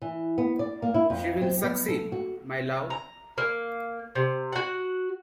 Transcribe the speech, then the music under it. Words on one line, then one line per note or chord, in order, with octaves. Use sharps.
She will succeed, my love!
E3
B3
D5
A#3
E4
F2
C4
B3
A4
F#4
A#5
A#3
C3
F#4 F#5